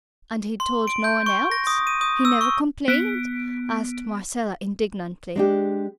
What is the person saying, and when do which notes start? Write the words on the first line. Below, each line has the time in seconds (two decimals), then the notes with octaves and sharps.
"And he told no one else?--he never complained?" asked Marcella, indignantly.
0.60 C6
0.88 D7
1.04 G6
1.26 C#6
1.51 A#6
1.67 D#6
1.87 D#7
2.01 D#6
2.25 E6
2.41 C#6
2.88 B3 D7
5.36 G#3 D4 G4